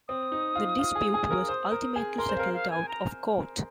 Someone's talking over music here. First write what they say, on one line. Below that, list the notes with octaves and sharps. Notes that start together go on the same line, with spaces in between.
The dispute was ultimately settled out of court.
C4 D#6
D#4
F4
F4
G#4
G#4
A#4
C5
A#4
G#4
A#4 C6
C5
A#4 F5
F5
G#5
A#5